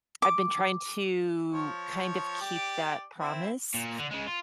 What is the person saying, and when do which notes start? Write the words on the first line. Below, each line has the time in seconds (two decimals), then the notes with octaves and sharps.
I've been trying to kind of keep that promise,
0.22 D6
1.52 F3 C#5
2.41 G4 D5 D6
3.19 C4 E4
3.74 A#2
3.99 D3
4.11 C#3 G#3
4.27 F4